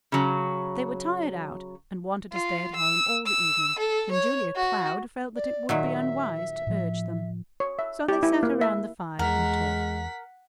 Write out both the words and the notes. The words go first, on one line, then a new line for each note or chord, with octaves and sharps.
They were tired out, and wanted to stay at home all the evening, and Julia Cloud felt that it would be unwise to urge them; so they sat around the fire and talked.
C#3 F#3
F4
E6
E6
A4
C#5
F#4
D5
A#2 D#3 F#3 E5
A2 F3
C#5
E5
G4
E4
A#3
E5
E2 G#3 A#4 F#5 B6